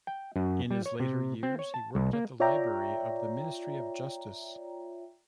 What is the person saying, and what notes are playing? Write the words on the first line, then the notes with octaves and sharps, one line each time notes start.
In his later years, he worked at the library of the Ministry of Justice.
G5
F#2
G3
C#5
C3
C4
C#5
A5
C2
A#3
F4 C#5 D5 E5 G5 A#5